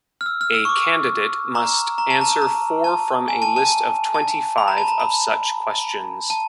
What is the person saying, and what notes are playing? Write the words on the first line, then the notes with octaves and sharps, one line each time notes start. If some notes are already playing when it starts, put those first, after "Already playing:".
A candidate must answer four from a list of twenty-five of such questions.
F6
E6
F6
E6
C#6
D6
A#5
A#5
A5
A#5
A#5
A5
G#5
A5
A5
A5
B5
A#5
A5
A#5
B5
A5